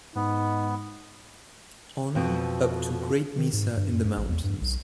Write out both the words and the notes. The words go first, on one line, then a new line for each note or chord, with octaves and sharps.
On up to a great mesa in the mountains.
G#2 B3 D#4
F2 B2
D#3
G#2
G2
F#2
G2
A1
E2
G2
B1